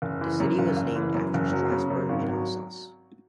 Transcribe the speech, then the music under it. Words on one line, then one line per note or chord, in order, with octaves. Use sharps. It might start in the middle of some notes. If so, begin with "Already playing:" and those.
The city was named after Strassburg, in Alsace.
F#1
E3
F#2
F#1
F#1
E3
F#2
F#1
F#3
C#3
F#2
G#1
F#3